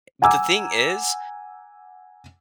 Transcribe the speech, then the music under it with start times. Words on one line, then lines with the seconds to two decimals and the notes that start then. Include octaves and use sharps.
Eh, but the thing is,
0.22 F#5 G#5 A#5 D6 E6